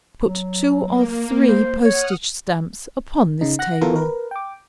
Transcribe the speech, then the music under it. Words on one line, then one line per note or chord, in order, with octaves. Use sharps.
Put two or three postage stamps upon this table.
F#3
A#3
C5
C#5 F#5 D#6 F6
C#3 D#4
F#5 F#6 A#6
E3 B3 F4 A4 A#4
A#4 B4
G5 D6